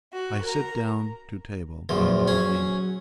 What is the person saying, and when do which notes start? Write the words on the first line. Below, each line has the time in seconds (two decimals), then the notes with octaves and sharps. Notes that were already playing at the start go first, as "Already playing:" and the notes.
I sit down to table; but I cannot eat.
0.12 F#4
0.42 A#4 A#5
1.89 A#1 E2 F3 F#3
2.28 C#4 G#4